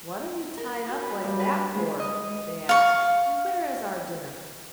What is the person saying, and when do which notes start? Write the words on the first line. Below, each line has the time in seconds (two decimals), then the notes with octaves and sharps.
"What are you tied up like that for?" they asked; "and where is our dinner?"
0.57 A#4
0.89 F#4
1.03 B4
1.24 G2
1.40 B4
1.75 G#3
1.99 D#5
2.69 F5 C#6